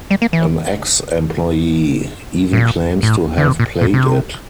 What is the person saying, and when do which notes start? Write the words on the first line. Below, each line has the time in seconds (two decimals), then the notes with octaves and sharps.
An ex-employee even claims to have played it.
0.10 G3
0.22 A#3
0.33 E3
2.53 A2
2.58 A#2
3.03 A2
3.38 D3
3.47 C3
3.60 A#2
3.81 A#2
3.94 C3